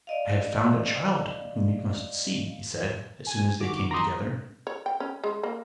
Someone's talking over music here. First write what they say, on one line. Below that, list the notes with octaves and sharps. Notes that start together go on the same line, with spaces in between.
"I have found a child whom you must see," he said, as soon as they came together.
D5 D#5 F5
G#5
D#3 F#4 D6
A#5 C6 D#6
C#5
G5
C#4
G#3
A#3